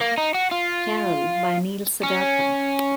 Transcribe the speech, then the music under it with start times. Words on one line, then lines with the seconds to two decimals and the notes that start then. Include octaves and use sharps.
Carol by Neil Sedaka.
0.01 A#3
0.18 D#4
0.34 F#4
0.51 F4
2.03 C#4